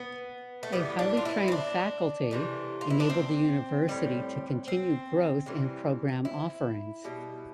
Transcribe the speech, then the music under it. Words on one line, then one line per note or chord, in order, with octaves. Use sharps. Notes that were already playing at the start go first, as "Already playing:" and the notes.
A highly trained faculty enabled the university to continue growth in program offerings.
Already playing: B3
A3
A2 E3 G3 B3
D4
F4
E4
C4
D4
C3 E3 A3
F4
E4
D4
C4
A2 G3
C4
C3 E3 G3
E4
B2 G3